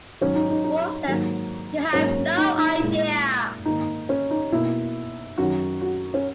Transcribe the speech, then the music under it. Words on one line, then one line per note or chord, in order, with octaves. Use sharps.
Worf says You have no idea!
G#2 D#3 F#3 C#4
D#4
D#4
D#4
G#2 D#3 F#3 A#3
G#2 F#3 A#3 C#4
D#4
D#4
A#2 G#3 E4
G#2 D#3 A#3 D#4
C#4
D#4
B2 A#3 E4
F#2 D#3 F#3 F#4
F#4
C#4